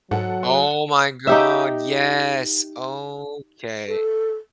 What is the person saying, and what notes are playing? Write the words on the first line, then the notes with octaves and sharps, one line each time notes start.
Oh my god, yes! Okay.
G#2 F#3 A4 F#5
D#4 G4 E5
A4